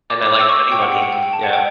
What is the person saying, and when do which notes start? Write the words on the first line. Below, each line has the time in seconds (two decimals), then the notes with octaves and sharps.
And I like spending money. Yeah.
0.10 D6
0.26 D6
0.41 E6
0.49 C#6
0.56 D6
0.72 G5
0.82 F#5
0.92 G5
1.02 F#5
1.12 G5
1.23 G5
1.33 A5
1.43 F#5
1.53 G5